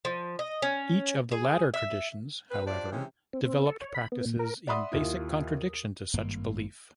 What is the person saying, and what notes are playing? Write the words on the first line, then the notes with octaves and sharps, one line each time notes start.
Each of the latter traditions, however, developed practices in basic contradiction to such belief.
F3
D#5
C#4
G#4
E5
C4 B4
D4 F4 G4 C5 D5
C3 E3 G#3 C#4
C4
C4
A4
C#5
B5
B3
A#2
A#4
D5 E5 F#5 B5 C6 D#6
D#2 E4 F4
G#1 G2 A#3